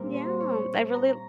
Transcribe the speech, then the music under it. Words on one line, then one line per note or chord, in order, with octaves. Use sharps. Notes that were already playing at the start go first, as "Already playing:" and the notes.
Yeah. I really l
Already playing: A#2 G3 C4 A#4
C5
C#5
A#5